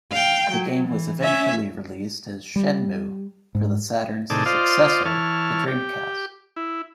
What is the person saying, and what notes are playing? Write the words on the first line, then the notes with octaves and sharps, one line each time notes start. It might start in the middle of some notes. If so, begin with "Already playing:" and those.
The game was eventually released as "Shenmue" for the Saturn's successor, the Dreamcast.
F5 G5
F#3
E3
C#4 E5
G3
G#2
A2 C3 D#3 G#4 D5 A5
F4 C5 D5 D#5 F5
E3 C#5 A5 F6
G4
E4